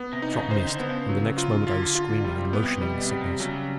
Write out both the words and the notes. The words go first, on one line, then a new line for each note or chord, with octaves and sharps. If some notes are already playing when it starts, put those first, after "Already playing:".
The shot missed, and the next moment I was screaming and motioning the signals.
Already playing: B3
C3
D#4
C#3
C#3 C5
D#3
D3
B3
C#3
F#3
F4
D3 F4
F4
C3 G3
B3
C3
B2 G3
C3
G3
C3
C#3 F#3